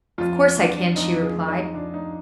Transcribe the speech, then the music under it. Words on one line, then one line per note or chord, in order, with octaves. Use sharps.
"Of course I can," she replied.
F2 F4
F2 D4
F2 D#4
G#4
F2
D#4
F2 D4
D#4